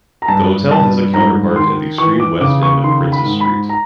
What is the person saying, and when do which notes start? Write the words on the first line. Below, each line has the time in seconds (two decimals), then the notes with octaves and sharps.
The hotel has a counterpart at the extreme west end of Princes Street.
0.22 A#5
0.28 G2 A5
0.71 G2 A5
1.13 G#2 A#5
1.56 D#3 C6
1.98 E3 C#6
2.20 D6
2.41 C#3 D6
2.63 C#6
2.84 D#3 C6
3.12 B5
3.26 G#2
3.40 B5
3.69 A#5